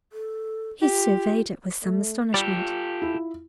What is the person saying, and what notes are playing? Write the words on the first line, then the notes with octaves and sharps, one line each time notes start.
He surveyed it with some astonishment.
A4
F4 G4
A3
G3 F4 G4 A4 D5
E4